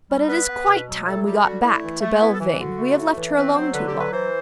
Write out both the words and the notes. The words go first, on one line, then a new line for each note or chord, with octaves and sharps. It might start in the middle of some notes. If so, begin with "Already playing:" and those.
But it is quite time we got back to Belvane; we have left her alone too long.
G3
B3 B4
B3
B2
F#3
A2 A4
G3 G4
D3 F#4
A3 E4
E3
A3
B3 E4
A4
E3
D3 F#4
A3
A2
E3
C4 B4
F#3 C5
D3 B4
G4
F#3
B4
E3 C5